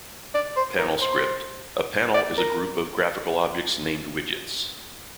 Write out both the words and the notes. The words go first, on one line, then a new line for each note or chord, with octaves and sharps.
Panel script: a panel is a group of graphical objects named widgets.
D5
C5
A#4
C5
D5
A#4